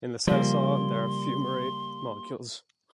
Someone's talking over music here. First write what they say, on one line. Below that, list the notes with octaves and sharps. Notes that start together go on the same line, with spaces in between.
In the cytosol there are fumarate molecules.
C#3 F3 G3 A#3 C6